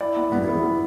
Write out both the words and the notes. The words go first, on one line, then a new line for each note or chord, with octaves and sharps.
you know,
E4 D5
B3
B3
E4
B3